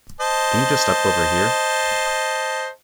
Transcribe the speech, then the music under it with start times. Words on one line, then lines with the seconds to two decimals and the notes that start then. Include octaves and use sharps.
Can you just step over here?
0.20 C5 D#5 A5